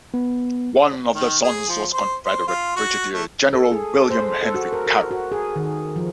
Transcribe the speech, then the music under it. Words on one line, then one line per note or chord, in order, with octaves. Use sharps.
One of their sons was Confederate Brigadier General William Henry Carroll.
B3
D#3
G#4
F3
C5
C5
F4
F#4
A3
A4
G#4
A4
C5
A4
F#4
A#4
A#4
F#4
G#4
D#3
F3